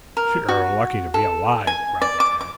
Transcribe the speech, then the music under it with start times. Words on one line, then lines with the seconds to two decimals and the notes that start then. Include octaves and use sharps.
"You're lucky to be alive," growled Tad.
0.17 A#4
0.48 F#4
1.14 A4
1.67 G#5
2.02 D5
2.20 D6
2.41 D6